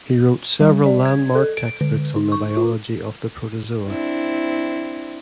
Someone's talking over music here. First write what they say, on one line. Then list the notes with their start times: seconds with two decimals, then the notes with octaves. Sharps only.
He wrote several landmark textbooks on the biology of the protozoa.
0.61 G3
0.86 D5
1.05 G#6
1.35 A4
1.57 D7
1.81 D3
2.16 D#4
2.32 C#6
2.57 F4
3.86 C4 D4 E4